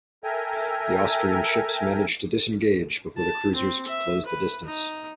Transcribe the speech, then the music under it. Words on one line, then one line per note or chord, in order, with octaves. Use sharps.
The Austrian ships managed to disengage before the cruisers could close the distance.
A4 A#4 E5 G5 G#5 A#5
A5
C4
E5
B4
D#4